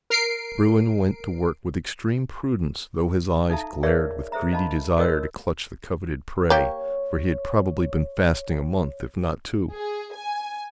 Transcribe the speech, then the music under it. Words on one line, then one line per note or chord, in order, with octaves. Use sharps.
Bruin went to work with extreme prudence, though his eyes glared with greedy desire to clutch the coveted prey, for he had probably been fasting a month, if not two.
A#4 C7 D7
D#4 A4 E5 F5 A5 A#5
G#4 A#4 C#5 D5 E5 F5
G#4 A4 C5 E5 A#5
D4 D#5 F5 A5 B5 C6
F#4 A4 A#4 C#5 D#5 E6
A#3 G4 C#5
G#4
G#5